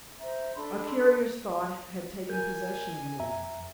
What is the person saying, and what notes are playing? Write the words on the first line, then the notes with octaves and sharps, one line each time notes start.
A curious thought had taken possession of me.
C5 E5 A#5
D4 A4 B5 C6
A#4 G#5 G6
F2 E5 A#5